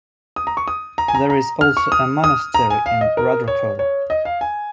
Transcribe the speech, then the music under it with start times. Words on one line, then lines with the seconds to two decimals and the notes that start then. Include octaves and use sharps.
There is also a Monastery in Rudrokor.
0.36 D#6
0.47 A#5
0.57 C#6
0.68 D#6
0.98 A#5
1.08 G#5
1.15 A#5
1.30 A#5
1.61 F6
1.77 C#6
1.92 D#6
2.24 D#6
2.54 A#5
2.70 G#5
2.86 F5
3.01 D#5
3.17 A#4
3.48 C#5
3.79 C#5
4.10 D#5
4.25 F5
4.41 G#5